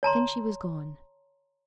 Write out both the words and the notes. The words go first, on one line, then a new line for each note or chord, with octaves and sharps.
Then she was gone.
C#5 A5 A#5 C6